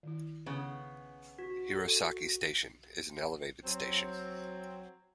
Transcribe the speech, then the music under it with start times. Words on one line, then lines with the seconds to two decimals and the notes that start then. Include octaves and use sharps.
Hirosaki Station is an elevated station.
0.03 D#3 E4
0.46 C#3 B3
1.39 F#4
1.71 G#4 A4
3.64 F#3 C4